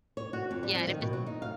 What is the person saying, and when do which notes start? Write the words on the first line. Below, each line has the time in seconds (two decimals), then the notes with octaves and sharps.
Yeah, and if it's
0.17 C#5
0.33 F#4
0.51 F2
0.63 G3
0.75 F3
0.87 D#3
1.01 B2
1.13 F#3
1.26 D#4
1.42 F5